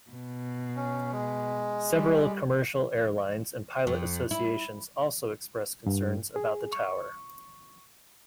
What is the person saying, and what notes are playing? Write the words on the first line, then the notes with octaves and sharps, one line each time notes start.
Several commercial airlines and pilot associations also expressed concerns about the tower.
B2
C#4
G#3
G3
F2
E4
G2
G#4
C#6